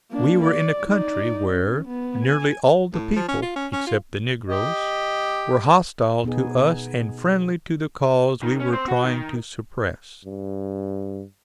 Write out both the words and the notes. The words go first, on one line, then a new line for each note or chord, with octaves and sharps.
We were in a country where nearly all the people, except the negroes, were hostile to us and friendly to the cause we were trying to suppress.
A#3 D4
D5
D#4 D5
C#4
B3
G#5
A2
F3
C#4
F4
C#4
C#4
F4
G4 D#5
B2 B3 D#4 G#4
D#3
C#4
C4 C5
F#4
D#3
G2